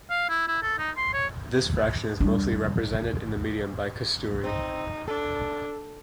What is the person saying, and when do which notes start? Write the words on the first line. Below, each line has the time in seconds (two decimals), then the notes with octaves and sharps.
This fraction is mostly represented in the media by Kasturi.
0.10 F5
0.29 E4
0.48 E4
0.63 A4
0.78 D#4
0.97 C6
1.13 C#5
2.20 G3 D4
4.44 C4 D#4
5.08 D4 A4